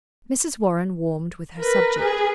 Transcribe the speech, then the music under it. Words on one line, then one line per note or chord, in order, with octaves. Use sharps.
Mrs. Warren warmed with her subject.
A#4 B4
G#4